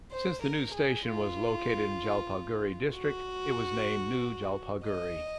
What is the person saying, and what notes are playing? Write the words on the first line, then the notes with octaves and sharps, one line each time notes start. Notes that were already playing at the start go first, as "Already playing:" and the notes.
Since the new station was located in Jalpaiguri district, it was named New Jalpaiguri.
C5
A#4
G#4
F4
F#4
D#5